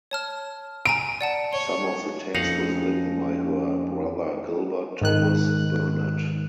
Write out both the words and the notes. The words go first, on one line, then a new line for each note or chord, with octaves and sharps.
Some of the text was written by her brother Gilbert Thomas Burnett.
C#5 A5 F6
G#5 A#5 D7 D#7
D5 F#5 A5
C#5 G7
F2 A#3 C4 C#4 D#4 F5 F#5
G#2 D#3 F#6